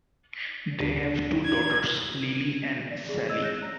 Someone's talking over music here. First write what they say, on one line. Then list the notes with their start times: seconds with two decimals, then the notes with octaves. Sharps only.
They have two daughters Lily and Sally.
0.80 D2 D4
1.45 G#6
2.91 D5
3.09 G#4
3.29 C#5 D#5 E6 G#6
3.43 F#6 G6 A#6 E7
3.62 A#5